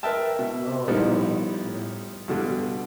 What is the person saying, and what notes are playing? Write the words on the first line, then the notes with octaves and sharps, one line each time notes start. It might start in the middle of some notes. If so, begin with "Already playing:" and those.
Oh, wow, yeah.
A#4 B4 D#5 E5 G5 A5
B2 E5
F3 G3 B3 D#4 E4
G2 B2 D3 G3